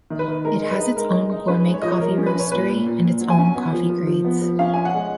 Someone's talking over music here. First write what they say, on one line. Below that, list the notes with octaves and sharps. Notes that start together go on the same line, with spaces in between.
It has its own gourmet coffee roastery and its own coffee grades.
D#3
B4
D#3
G#3 A#4
G#3
B4
D#4
G#3 A#4
G#3
D#4
C#4 B4
G#3
C#5
F3 D#5
C#5
F3 A#4
C#4
B4
C#4
C#5
A#2 B4
A#2
A#2
A#2
F#3
G#5
C#4
B3
F3
F3
F3
B3
F3
C#4 F5
C#4 G#5
F#5
G#3